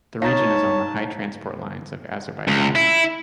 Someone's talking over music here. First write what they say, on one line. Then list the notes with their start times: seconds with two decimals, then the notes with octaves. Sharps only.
The region is on the high transport lines of Azerbaijan.
0.22 D#4 C#5 F5 A5 A#5 A6
2.48 C#2
2.75 E4